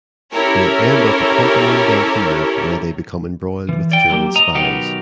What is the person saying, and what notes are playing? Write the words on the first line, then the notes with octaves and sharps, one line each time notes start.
They end up accompanying them to Europe where they become embroiled with German spies.
C#4 E4 G4 A4 A#4 C#5
E3
D5 G5
D3 F#3 A#3 G4
D#5 A#5
B1 B2 D#3 D#4 G4 F#5